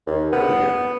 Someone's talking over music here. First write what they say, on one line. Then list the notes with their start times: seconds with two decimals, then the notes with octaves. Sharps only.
Oh, yeah.
0.07 D#2
0.32 B3